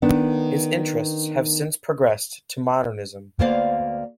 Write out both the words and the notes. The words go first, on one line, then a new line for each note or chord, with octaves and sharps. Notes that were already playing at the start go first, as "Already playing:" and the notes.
His interests have since progressed to modernism.
D#3 B3 D4
D2 A#3 B3 C5 D5 F5